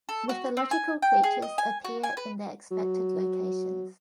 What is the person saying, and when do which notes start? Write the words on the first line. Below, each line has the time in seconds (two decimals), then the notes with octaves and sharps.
Mythological creatures appear in their expected locations.
0.09 A4
0.29 F#4
0.57 C4
0.71 G#5
1.02 G5
1.23 G#4
1.42 D#5
1.58 G#5
1.84 F#4
2.03 G#5
2.17 B4
2.71 F#3